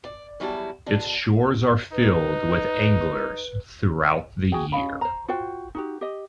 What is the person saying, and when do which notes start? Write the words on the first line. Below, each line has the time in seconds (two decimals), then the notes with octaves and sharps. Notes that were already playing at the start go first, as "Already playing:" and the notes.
Its shores are filled with anglers throughout the year.
0.05 D5
0.40 E2 F#3 G3 E4 F#4 A5
0.86 B2 D3 D4
1.93 D#4 B4
4.52 F#4 G#4 G5
4.72 C#4 D#5 F5 B5
5.01 C5 A#5
5.28 F4 F#4 C5 G5
5.75 D#4 F#4 G4
6.01 G4 D#5